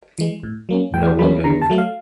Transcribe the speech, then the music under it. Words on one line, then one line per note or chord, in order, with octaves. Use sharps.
No one moved.
E3 G#3
A2
F#3 A#3 C#4
A2 G5
F#3 A#3 C#4 B5
D3 A#5
A5
F#3 A3
F5